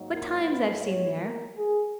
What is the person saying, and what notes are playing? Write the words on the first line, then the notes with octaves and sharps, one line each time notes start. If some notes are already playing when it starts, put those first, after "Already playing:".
'What times I've seen there!
Already playing: G#2 F#3 A#3 D#4
A#4
B4
C#5
A#4
G#4